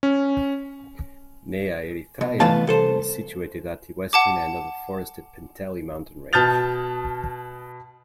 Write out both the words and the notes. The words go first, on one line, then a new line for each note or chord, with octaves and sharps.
Nea Erythraia is situated at the western end of the forested Penteli mountain range.
C#4
B2
C2 E3 A3 B3 F5 A5
C2 A4 C5
F#5 A5 D6
B2 A5 F6 G6 A6 F7